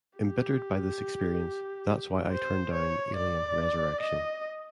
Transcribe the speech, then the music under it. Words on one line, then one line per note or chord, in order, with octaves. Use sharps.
Embittered by this experience, that's why I turned down "Alien Resurrection".
G4
C5
C#5
D5
D#5